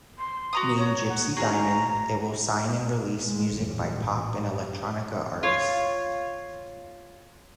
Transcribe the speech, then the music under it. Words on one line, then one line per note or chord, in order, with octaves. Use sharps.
Named Gypsey Diamond, it will sign and release music by pop and electronica artists.
C6
F#4 A#5 D#6
C#5 A#5
F#5
F#4 G#4 A#5
A2 G#3
G1 E2 A#2 G3
A1
G3
F4 C#5